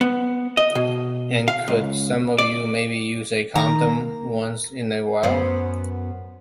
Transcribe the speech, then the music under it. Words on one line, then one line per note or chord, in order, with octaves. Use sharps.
And could some of you maybe use a condom once in a while?
B3
D#5
B2
F5
C#2
D5
D#3 A#5
A#3
F#2 B3 C5